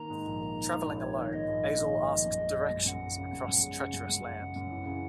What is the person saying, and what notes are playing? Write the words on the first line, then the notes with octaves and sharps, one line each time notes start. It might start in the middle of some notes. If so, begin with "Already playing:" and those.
Travelling alone, Azel asks directions across treacherous land.
Already playing: D#3 A#3 A#5
G#2
A#1
A#3
D#3
G#2
A#1
A#3 C#5
D#3
G#2 D#5
A#1
A#3
D#3
G#2
A#1
F#2
G#3
C#3
F#2
F#2 F#5
G#3
C#3
F#2
F#2
G#3
C#3
F#2
F#2
G#3
C#3
F#2
E3
C#3